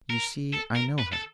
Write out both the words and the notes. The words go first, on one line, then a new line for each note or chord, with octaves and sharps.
You see I know her.'
A#4
A4
A#4
B4
A4